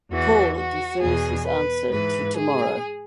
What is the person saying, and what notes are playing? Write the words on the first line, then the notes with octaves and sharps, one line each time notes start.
Paul defers his answer to tomorrow.
E2 E3 F#4
F#4
E2 B2 G#4
B4
G#2 E3 B4
G#4